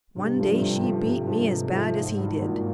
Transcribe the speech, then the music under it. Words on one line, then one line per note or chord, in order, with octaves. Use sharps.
One day she beat me as bad as he did.
G2 C3
F3 A3
C3
F3 A3
G2 C3
F3 A3
G#2 C3
F3 A3
G#1
G2 D#3 F#3
G#1 A#2